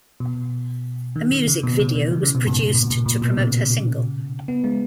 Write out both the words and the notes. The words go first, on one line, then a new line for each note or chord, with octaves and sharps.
A music video was produced to promote her single.
B2
D#3
D#3
C#3
B2
C#3
D#3
E3
C#3
B2
G#2
G#2
A#2
A#2
A#2
B2
C#3
B3
G#3